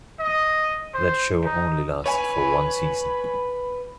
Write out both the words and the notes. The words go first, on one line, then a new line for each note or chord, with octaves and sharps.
That show only lasted for one season.
D#5
C5
D#4
B4 C#5 G#5 B5